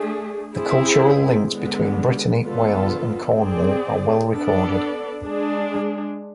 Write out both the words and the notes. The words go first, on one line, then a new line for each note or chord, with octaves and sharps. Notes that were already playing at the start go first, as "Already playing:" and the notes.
The cultural links between Brittany, Wales and Cornwall are well recorded.
Already playing: A3 D4 G#4
C4 E4 G#4
D3 G#3 B3
D3 F3 B3 F4 A4
C4 G#4 D5
B3 D4 A4 D5
G#3 D4 G#4